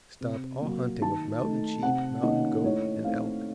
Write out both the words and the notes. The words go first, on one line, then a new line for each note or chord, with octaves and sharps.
Stop all hunting of mountain sheep, mountain goat and elk.
C3
F#3 A#3
D#3 A5
A3 D#4
C3 F#5
D#3 A#3 C#4 D#5
A2 C#5
A3 C4 D#4 F5